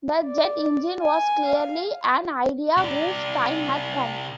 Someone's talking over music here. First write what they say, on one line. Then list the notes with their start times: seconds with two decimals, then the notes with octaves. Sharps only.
The jet engine was clearly an idea whose time had come.
0.23 D5
1.01 G#5
1.45 F5
2.77 C3 D5